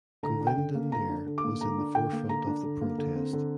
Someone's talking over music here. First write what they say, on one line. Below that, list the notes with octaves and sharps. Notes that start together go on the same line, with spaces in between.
Govindan Nair was in the forefront of the protest.
D3 A#5
D4
G5
D3
A#3
D3 A#5
D4
D3
D6
A#3
D3 A#5
D4
D3 G5
A#3
D3 A#5
D4
D3
A#3
D3
C4
D3